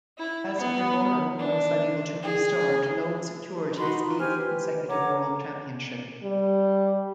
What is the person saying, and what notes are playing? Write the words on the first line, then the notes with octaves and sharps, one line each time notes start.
As Hirvonen was unable to restart, Loeb secured his eighth consecutive world championship.
E4
B3
D4
G#4
D#4 F#4 B5 C6
F4
G4 C5 G#5 F6
B4
C#5 F#5 A#5 D6
G3